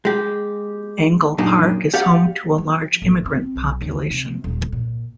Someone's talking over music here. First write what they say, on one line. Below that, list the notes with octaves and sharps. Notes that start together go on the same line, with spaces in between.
Angle Park is home to a large immigrant population.
G#3 G4
F#2 A#2 A#3 D4 D#4
G4 D5 F5 F#5
F3
A1
C4
B1
D#2
C3
D#1
A#2